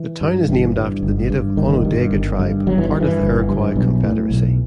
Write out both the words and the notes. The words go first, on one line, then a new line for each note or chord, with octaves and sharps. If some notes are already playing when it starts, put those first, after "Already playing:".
The town is named after the native Onondaga tribe, part of the Iroquois Confederacy.
Already playing: E3
G2
G1 E3
G2
G1
G2
G1 D#3
G2
G1
G2
G1 F#3
E3
G2 D#3
E3
G1
G2
B1
A2
B1